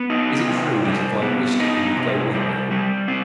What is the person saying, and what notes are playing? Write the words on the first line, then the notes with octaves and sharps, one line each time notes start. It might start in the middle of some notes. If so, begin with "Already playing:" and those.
"Is it true that if I wished it you would go with me?"
Already playing: B3
D#4
C3
G3
B3
D#4
C3
G3
G3
C4